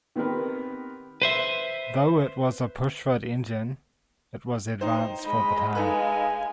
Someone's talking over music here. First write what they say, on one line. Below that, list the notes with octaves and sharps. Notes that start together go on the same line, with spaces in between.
Though it was a pushrod engine, it was advanced for the time.
D#3 B3 C4 G4 A#4 B4
B4 C5 E5
D#4 C5 G5
G#3 D#5 B5
G#3 D#4 A4 B4 F5 G#5